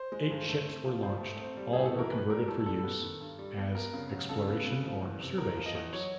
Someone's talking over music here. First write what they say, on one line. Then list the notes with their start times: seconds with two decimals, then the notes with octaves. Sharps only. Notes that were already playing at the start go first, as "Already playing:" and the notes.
Eight ships were launched; all were converted for use as exploration or survey ships.
Already playing: C5
0.12 G#3
0.30 G2
0.48 A3
0.67 C4
0.85 F3
1.03 G#2 C5
1.21 A3
1.40 C4
1.57 G3
1.73 A2 G#4
1.85 A4
1.93 E3
1.99 A#4
2.12 A2 B4
2.30 G3 A#4
2.48 A2 A4
2.66 G3 A4
2.84 B3
3.02 D#3
3.21 G2
3.39 G3
3.57 B3
3.75 B3 A#4
3.93 C#3
4.11 F#3
4.29 C#3 A4
4.48 B3
4.66 C#3
4.83 F3
5.03 E2
5.20 C3
5.38 E2 A#4
5.57 F3
5.66 D#5
5.75 E2
5.93 F#3 C#5